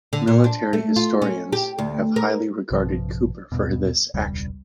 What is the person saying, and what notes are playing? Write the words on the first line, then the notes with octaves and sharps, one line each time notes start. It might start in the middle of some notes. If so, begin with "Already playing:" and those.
Military historians have highly regarded Cooper for this action.
D3
A#2
D4
A3
F4
C#4
G4
D2
A#4
A#1 G2 C3 F3
D#1 G#1 G2 B2
E1 C#2 G3